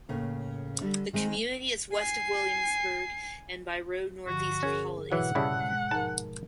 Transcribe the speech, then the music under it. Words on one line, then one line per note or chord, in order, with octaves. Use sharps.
The community is west of Williamsburg and by road northeast of Hollidaysburg.
A2 C#3 A#3
D3 G3 D4
D#3 G#3 C4 D#4
G#5 C7
G2 D3 F3 F#4
C#4 G#4 A#4
G#2 B2 E3 F#3 F#5 E6
C#3 G3 E4 A5 E6
G#3
G#2 F3 A#4 A5